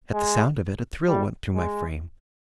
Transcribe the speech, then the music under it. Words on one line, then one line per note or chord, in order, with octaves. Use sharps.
At the sound of it, a thrill went through my frame.
G#3
G3
G#3